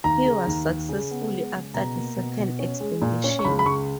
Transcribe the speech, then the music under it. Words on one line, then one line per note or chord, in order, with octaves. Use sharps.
He was successful after the second expedition.
D#2 A#5
C#3
D#2
D#2
C#3
B3
G#3
C#3
B2 A#5
A#3
B2
B2
C#4
G#3
A#2
C#4
C#6
C#2 B5
B5
C#2 C#6